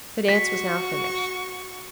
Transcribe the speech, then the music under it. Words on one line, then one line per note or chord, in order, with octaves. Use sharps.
The dance was now finished.
F#4 C#6 B6